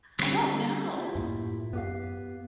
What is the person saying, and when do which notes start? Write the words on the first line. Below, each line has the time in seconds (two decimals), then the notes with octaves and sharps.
I don't know.
0.19 D3 G3 C4
0.96 E4 F4 G4
1.15 F#2 A2 A#3
1.73 F#2 B3 G4 F5